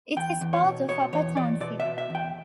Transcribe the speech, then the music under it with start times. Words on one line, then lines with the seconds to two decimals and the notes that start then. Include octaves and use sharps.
It is part of Upper Township.
0.16 E2 G5
0.41 E2
0.53 C#5
0.65 B2
0.88 B2 C#5
1.13 E2 C#5
1.37 E2 D5
1.60 B2 D5
1.80 E5
1.85 B2
1.98 E5
2.10 E2 G5